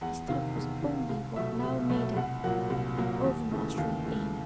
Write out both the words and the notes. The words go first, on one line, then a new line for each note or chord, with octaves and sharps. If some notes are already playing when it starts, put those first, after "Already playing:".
His thought was only what now made up an overmastering aim.
E2 F#5
C3 D#3 F5
E2
C3 D#3
C2 F5
B2 F#3 A3 E5
C2
B2 F#3 A3
C2 F#5
A#2 F#3 A#3 F#5
C2
A#2 F#3 A#3
D#2
C#3 E3 A3
D#2 F5
C#3 E3 A3